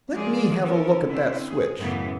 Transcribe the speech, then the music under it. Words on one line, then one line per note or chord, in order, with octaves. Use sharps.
"Let me have a look at that switch."
F3 G#3 A#3 G#4 D5
B3 C#4 A4 A#4
D3 C4 C#4 E4
G#4
F#2 A2 C#3 E3 B3